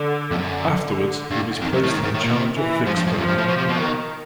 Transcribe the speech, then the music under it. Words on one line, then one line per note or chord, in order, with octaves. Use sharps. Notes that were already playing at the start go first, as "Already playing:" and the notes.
Afterwards he was placed in charge of Vicksburg.
Already playing: D3
F2
F#2 D3
G2
F2 D#3
F#2
A2
G#2
G#2
A2
A#2
E3
G#2 F3
G2
F#2
G2
F#2 F3
G2
A2
B2
C3
B2
D#3